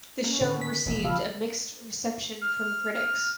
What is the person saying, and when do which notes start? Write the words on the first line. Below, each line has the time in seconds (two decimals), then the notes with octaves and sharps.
The show received a mixed reception from critics.
0.24 A#3 C#4
0.41 A2 D3 D#3
0.61 B6
0.86 E1 A#1 D#2
1.04 C#3 F3 B5 E6 F6
2.41 F6
2.93 F6